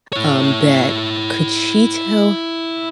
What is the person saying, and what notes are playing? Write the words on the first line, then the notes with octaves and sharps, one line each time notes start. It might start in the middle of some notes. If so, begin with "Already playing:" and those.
um, that could she tell h
E4 C#5